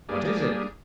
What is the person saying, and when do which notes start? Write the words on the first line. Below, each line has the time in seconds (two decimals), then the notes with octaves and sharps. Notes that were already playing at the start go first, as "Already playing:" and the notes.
"What is it?"
0.09 G3 A#3 D4 G#4